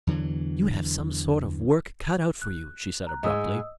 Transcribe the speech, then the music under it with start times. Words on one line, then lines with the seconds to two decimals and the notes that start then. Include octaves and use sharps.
"You have some sort of work cut out for you," she said abruptly.
0.07 E2 D3 E3 F#3
2.42 F#6
3.07 A#5 F#6
3.23 G#2 G#3 D#5 D#6 E6